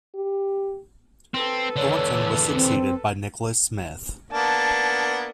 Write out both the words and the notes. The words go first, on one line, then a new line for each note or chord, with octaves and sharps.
Thornton was succeeded by Nicholas Smith.
G4
C4 A4 B4
E2 D3 C#5
C4
A#3 B3 D4 A5